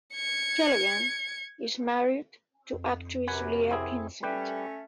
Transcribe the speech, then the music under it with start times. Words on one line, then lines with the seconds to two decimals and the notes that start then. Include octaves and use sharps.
Keleghan is married to actress Leah Pinsent.
0.14 G#6 C#7
2.73 F2
3.27 F#2 C3 B4 F#5 G#5
3.71 C4 E4 G#4
4.23 G3 A3 C#4 G4 B4